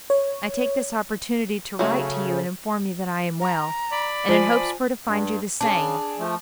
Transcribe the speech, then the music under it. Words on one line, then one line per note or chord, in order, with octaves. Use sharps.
'I take this opportunity to write to you and inform you that I am well, and in hopes for to find you the same.
C#5
C#3 F#3 A3 C#4
A#5
D5 B5
F3 G#5
G2
C#3 D4 G#4 A5
F3 A3